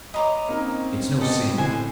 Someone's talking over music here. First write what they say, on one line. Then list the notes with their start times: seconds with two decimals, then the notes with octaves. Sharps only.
It's no sin.
0.14 C#5 D#5 A#5 B5 D6
0.48 A#3 C4 C#4 D#4 A#4
1.21 B3 G4 A4 D#5
1.58 A2 F#4 C5 G#5